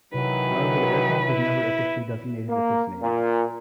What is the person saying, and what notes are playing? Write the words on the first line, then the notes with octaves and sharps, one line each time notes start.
However, the aircraft was never officially designated with this name.
C3 D#3 E3 F#3 B4
E4
A#3
A#2